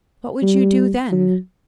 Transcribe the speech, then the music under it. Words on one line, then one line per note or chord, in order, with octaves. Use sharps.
"What would you do then?"
G3
F#3